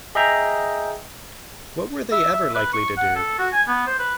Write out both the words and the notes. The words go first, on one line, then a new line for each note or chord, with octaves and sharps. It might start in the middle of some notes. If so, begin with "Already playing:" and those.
What were they ever likely to do?
G#4 D#5 E5 G5 A#5
E5
E5
B4
C#6
F#5
A4
F#4
G#5
B3
C5
B4